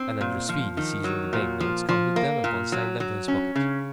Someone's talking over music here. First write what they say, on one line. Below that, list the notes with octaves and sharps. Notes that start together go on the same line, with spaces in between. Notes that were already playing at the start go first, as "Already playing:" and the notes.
And Andrew Speedy, seizing the banknotes, counted them and consigned them to his pocket.
Already playing: C4
A#2
F3
D#3
F#3
A#2
F3
F3
A#3
A#2
F#3
F#3
C#4
C#3